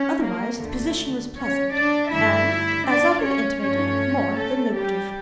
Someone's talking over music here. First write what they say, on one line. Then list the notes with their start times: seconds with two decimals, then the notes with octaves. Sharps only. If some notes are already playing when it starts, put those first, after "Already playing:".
Otherwise the position was pleasant, and, as I have intimated, more than lucrative.
Already playing: C#4
0.23 A#3 A#4
0.61 D2 D3 A3
1.36 C#4 C#5
1.74 D4 D5
2.11 G2 D3 A3 E4 E5
2.87 D4 D5
3.25 C#4 C#5
3.62 G2 F3 A3 C#4 C#5
4.37 A3 A4
4.75 G3 G4